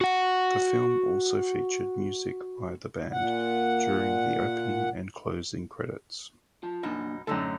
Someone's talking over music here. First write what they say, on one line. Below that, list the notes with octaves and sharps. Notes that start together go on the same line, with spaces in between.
The film also featured music by the band during the opening and closing credits.
F#4 F#5
A#2 F#5
F4 A5
F#2 B2 A#3 D4 D#4
F#2 A2 D3 D#4 A4